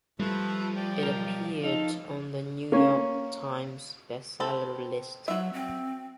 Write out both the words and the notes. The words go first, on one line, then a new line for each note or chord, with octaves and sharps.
It appeared on The New York Times Best Seller list.
F3 G3 A3 E4 B4
D5 G5
B1 A#4
D#4 A4 F5
A#3 C#4
C4 A4 B5
F#3 F#4 E5
C4